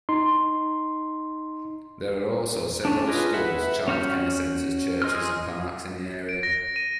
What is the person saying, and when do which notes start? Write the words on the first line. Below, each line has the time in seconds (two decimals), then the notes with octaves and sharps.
There are also several schools, child care centres, churches and parks in the area.
0.09 D#4 C6
2.85 C#4 D4
3.07 F4 G#4 B4 D#5
3.33 B4 E5 F#5
3.88 C#4 F#4 F6 G6
5.02 G#4 D#5 C6 E6 F6
6.29 D7
6.43 A#6
6.76 D#7